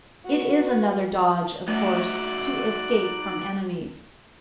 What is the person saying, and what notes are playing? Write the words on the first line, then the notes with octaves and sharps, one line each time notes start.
It is another dodge, of course, to escape from enemies.
F#4 B4
A3 D#4 F#4 D5 E5 F#6